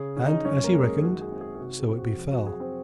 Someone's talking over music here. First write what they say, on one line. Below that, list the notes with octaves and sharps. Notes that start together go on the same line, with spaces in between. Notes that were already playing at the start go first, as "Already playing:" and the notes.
And as he reckoned so it befell.
Already playing: C#3 C#4 G#4
C#4
D#4 D#5
F#2 C#4 C#5
A#3 A#4
G#3
G#4
D#3 F#4
G#4
C4
G#4
G#4
C3 F#4
G#4
C4
F#4
F2
F#4
F#3 G#4
C4 C5